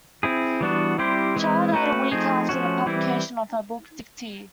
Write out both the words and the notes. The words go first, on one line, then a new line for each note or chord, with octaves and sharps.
Cha died a week after the publication of her book Dictee.
C4 E4 G#4
E3 G3 B3 D4 F#4
G3 C4 E4 G4 C5
E3 G#3 C4 E4
A3 C#4 F#4 B4
F3 A3 C4 D#4 G#4
F3 A3 C#4 F#4
E3 G3 C4 E4